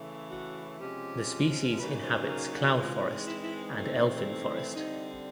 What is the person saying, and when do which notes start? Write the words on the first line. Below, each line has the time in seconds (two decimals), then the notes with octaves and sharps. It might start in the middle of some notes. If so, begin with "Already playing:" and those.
The species inhabits cloud forest and elfin forest.
Already playing: C#3 E3 A3
0.31 F#4
0.80 C3 F3 G#3 C#4 G4
1.79 C#3 F#3 A#3 D#4 B4
2.04 C5
2.29 A#4
2.53 F#4
2.78 E3 G#3 C4 D#4 F4
3.27 E4
3.43 E4
3.61 D#4
3.77 E3 A3 C4 D#4
4.26 D#4
4.50 E4
4.75 D3 G3 C4 D#4